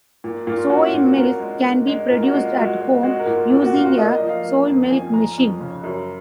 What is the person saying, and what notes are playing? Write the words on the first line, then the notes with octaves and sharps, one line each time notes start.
Soy milk can be produced at home using a soy milk machine.
A#2
A#2 F4
C#4 F#4
F4
A#2
F#4
A#2 A#4
G#3
G#3
G#3
A#2 A#4
F#4
G#3
F4
G#3 F#4
G#3
G#3 F#4
A#4
A#2
A#2
F#4
A#2 F4
F#4
A#3 D#5
D#5
F3
F5
A#3
F2
F3 G#5
F3 A#5
F2
C#3
F#2